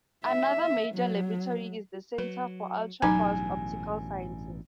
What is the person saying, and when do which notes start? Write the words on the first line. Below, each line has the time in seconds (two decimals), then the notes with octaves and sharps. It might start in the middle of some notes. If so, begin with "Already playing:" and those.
Another major laboratory is the Center for Ultra-Fast Optical Sciences.
0.24 E5
0.95 F#3
2.18 F#3 B4
3.02 A1 G2 B2 F#3 D#4 G#5 A#5